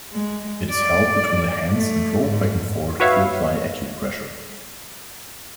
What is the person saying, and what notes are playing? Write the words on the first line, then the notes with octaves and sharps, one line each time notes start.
It is held between the hands and rolled back and forth to apply acupressure.
G#3
D5
A3
G#2
F#4 B4 C#5 E5 F5